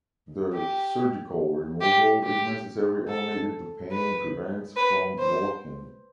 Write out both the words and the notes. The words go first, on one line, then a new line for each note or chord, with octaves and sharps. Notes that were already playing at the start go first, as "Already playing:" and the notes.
The surgical removal is necessary only if the pain prevents from walking.
G4
G4
G4
A4
B4
B4
C5